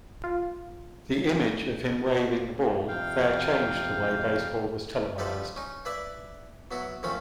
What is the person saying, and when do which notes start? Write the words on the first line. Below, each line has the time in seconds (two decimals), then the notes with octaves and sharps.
The image of him waving the ball fair changed the way baseball was televised.
0.24 F4
2.88 F2 C3 F5 G5
5.18 F3 G3 D#4 A4 B4 D5
5.56 C#4 D#4
5.85 E4 B4 D5 E5
6.71 F#3 B3 E4 F#4
7.03 F2 D#3 F3 A3 C#4 B5